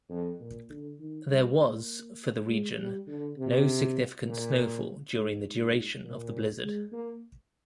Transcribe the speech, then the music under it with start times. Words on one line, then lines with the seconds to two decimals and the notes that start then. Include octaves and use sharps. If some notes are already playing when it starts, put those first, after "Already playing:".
There was, for the region, no significant snowfall during the duration of the blizzard.
0.10 F2
0.40 A#2
0.70 D3
0.99 D#3
1.28 G3
1.59 A#3
2.47 G#3
2.77 G3
3.07 D3
3.37 C3
4.26 A#2
5.15 G#2
5.44 G#2
6.04 A#2
6.63 G#3
6.92 A#3